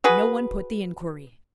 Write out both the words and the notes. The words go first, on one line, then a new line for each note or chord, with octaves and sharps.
No one put the inquiry.
F#4 G#4 B4